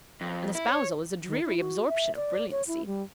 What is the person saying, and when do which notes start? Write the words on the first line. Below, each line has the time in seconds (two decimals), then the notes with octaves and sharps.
An espousal is a dreary absorption of brilliancy.
0.21 F2
0.55 E4
0.70 C#5
1.28 D#3
1.45 E4
1.58 F#4
1.88 E5
2.16 D5
2.51 C#5
2.67 E4
2.86 G3